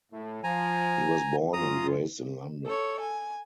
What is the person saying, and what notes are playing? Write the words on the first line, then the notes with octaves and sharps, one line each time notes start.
He was born and raised in London.
A2
F3 G#5 A#5
F#2 C#4 F4 A#5 D#6
A4 C#5
G#5